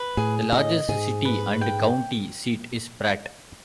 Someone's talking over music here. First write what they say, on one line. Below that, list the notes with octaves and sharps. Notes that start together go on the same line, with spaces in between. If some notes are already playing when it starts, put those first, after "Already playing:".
The largest city and county seat is Pratt.
Already playing: B4
A2 G#4
A2 D#5
G#2 G#4
B4
G5